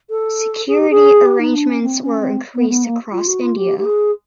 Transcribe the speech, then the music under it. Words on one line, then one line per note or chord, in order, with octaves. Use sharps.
Security arrangements were increased across India.
A4
G#4
G4
G#4
G4
D#4
D4
C#4
C4
C#4
C4
B3
B3
A#3
F4
F#4
F4
G4
G4
G#4